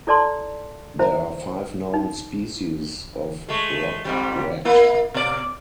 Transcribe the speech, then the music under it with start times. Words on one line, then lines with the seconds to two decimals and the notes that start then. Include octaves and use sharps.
There are five known species of rock-rat.
0.07 E4 A4 D5 A5 C6
0.99 E4 C5 E5
1.94 D#4
3.49 G#3 A3
4.05 F2 G#2 G3
4.65 A#3 E4
5.14 B2 D5